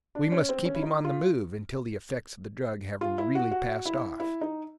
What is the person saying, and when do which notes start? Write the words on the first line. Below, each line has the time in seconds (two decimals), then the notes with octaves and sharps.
We must keep him on the move until the effects of the drug have really passed off.
0.15 D4
0.32 C#4
0.49 C4
0.65 C#4
0.75 E4
0.82 D#4
1.05 F4
3.01 F4
3.18 E4
3.35 F#4
3.51 F#4
3.86 E4
4.20 E4
4.41 D#4